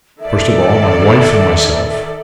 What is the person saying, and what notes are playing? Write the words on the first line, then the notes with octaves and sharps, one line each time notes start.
First of all my wife and myself.
D#3 A4 D5 E5